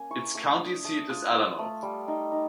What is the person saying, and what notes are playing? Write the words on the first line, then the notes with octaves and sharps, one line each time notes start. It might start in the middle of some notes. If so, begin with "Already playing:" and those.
Its county seat is Alamo.
Already playing: A#3 C#4 G#5
E4 C#6
A3 D6
D4 D#6
A3 D#6
F4 D#6
F4
A3
G3
D#4
D#4